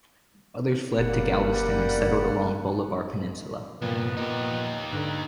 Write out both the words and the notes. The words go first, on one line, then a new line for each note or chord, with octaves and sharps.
Others fled to Galveston and settled along Bolivar Peninsula.
F#1 G3 A#3 F#5
C2 G2 A#2 F3 B3
A#2 D#4 G4
G#2 D3 B4